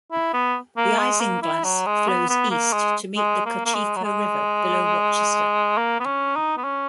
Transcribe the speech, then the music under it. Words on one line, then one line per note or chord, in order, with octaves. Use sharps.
The Isinglass flows east to meet the Cochecho River below Rochester.
E4
B3
A#3
G#3
A#3
E4
F#3
G#3
B3
B3
A#3
G#3
G#3
A#3
A#3
G#3
F#3
G#3
A#3
B3
C#4
D#4
B3
C#4